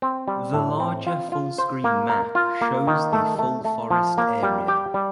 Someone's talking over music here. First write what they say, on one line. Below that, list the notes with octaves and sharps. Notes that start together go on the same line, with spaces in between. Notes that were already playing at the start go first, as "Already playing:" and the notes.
The larger full screen map shows the full forest area.
C4
G3
A2
C4
F4
F4
C5
A#3
A#4
F4
A#3
D#3
A3
A3
A3
F3
A#3
G3
G4
G3